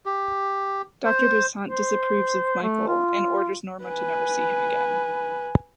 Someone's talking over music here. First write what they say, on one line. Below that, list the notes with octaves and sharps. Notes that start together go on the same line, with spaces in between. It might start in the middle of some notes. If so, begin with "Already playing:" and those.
Doctor Besant disapproves of Michael and orders Norma to never see him again.
G4
C5
C5
A3
F4
B4 G#5